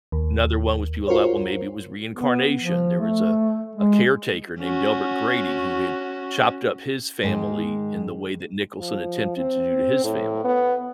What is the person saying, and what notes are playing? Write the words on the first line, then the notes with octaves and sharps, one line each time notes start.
Another one was people thought, "Well, maybe it was reincarnation." There was a a caretaker named Delbert Grady who had chopped up his family in the way that Nicholson attempted to do to his family
D#2
F4 F#4 A#4 C5 C#5
B3
F3
A3
G#3
C#4 F#4
G#2 D#3 G#3
F3
C4
A2
B3